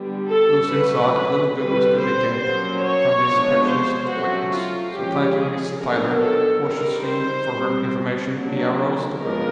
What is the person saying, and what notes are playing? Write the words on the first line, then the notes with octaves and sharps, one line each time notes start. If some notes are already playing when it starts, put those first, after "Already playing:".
Lucian saw that little good was to be gained from this prejudiced witness, so thanking Miss Tyler courteously for her information, he arose to go.
Already playing: D3 G3 B3 D4
A4
F#3 A3 C#4 B4
D3 G3 C4 B4
C5
F#3 A#3 C#4 C5
C#5
F3 G#3 B3 D4
C5
F#3 A3 C#4 F#4
F4
F3 G#3 C#4 G4
G#4
D#3 F#3 B3 D4 A#4
A4
D#3 G3 C4 A#4
C5
G3 C4
F#3 A#3 D4
F3 G#3 B3 D4 A#4